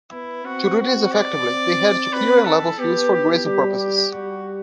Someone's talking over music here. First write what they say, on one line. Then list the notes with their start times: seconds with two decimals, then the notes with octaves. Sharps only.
To do this effectively, they had to clear and level fields for grazing purposes.
0.11 B3 E4
0.45 C4 F#4
0.78 F#4
1.12 D5
1.45 C4
2.12 C4 B4
2.45 A4
2.79 B3 G4
3.12 G4
3.45 G3 G4
3.79 G4
4.12 G3 F#4